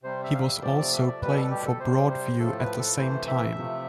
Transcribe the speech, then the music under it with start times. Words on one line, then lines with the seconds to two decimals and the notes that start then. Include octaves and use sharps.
He was also playing for Broadview at the same time.
0.03 C3 G3 C5
0.24 E5
0.34 F5
0.42 E5
0.62 C3 F3 A3 D5
0.78 D5
0.93 E5
1.07 D5
1.22 B2 G3 B4
1.36 A4
1.51 G4
1.66 A4
1.80 C3 G3 C5
2.10 C5
2.39 A2 F3 A3 A4
2.59 B4
2.79 A4
2.98 C3 E3 A3 C5
3.28 E5
3.57 C3 F3 A3